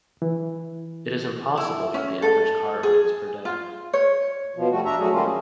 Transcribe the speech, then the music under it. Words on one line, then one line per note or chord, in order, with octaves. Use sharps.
It is impossible to get the average car earnings per day.
E3
E4
C#4
A4
G#4
F4
C#5
B2 F3
G3 A3 F#4
D4 E5 A#5
A2 F#3 A3 F#4 G#4
D#3 G3 A3 A#3 C#4 F4
G#4